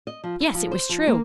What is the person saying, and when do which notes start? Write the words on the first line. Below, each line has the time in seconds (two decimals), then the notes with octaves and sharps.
Yes; it was true.
0.07 D#5
0.24 F3
0.40 E4
0.54 F3
0.71 C5
0.89 F3
1.07 A#3